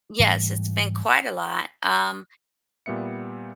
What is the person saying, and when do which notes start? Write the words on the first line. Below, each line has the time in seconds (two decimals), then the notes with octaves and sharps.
Yes, it's been quite a lot, um,
0.19 G#2 E3 G3 A3
2.86 A#2 G3 B3 E5 C#7